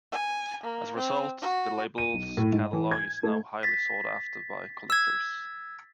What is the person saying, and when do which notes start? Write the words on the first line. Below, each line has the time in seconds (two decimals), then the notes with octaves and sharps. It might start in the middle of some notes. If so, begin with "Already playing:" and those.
As a result, the label's catalog is now highly sought after by collectors.
0.12 G#5
0.63 A#3
0.96 C4
1.41 F#4
1.98 D#7
2.13 B1
2.37 A2
2.52 G#2
2.73 E3
2.91 G#6
3.23 A3
3.63 A6 B6
4.90 E6 G#6